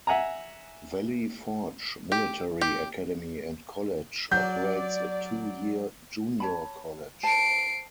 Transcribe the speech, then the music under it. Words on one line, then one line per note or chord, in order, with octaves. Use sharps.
Valley Forge Military Academy and College operates a two-year junior college.
E5 F#5 G#5 A#5
G4
G4
F#3 D5 G6
C#5 A5 B5
C5 A5 C7 D7